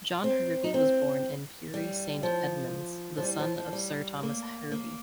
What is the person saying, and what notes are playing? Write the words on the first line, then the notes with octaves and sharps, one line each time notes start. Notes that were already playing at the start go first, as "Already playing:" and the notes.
John Hervey was born in Bury Saint Edmunds, the son of Sir Thomas Hervey.
C4
D#4
C4
G3
F3
F3
G3
F3
F3
G3
A#3
A#3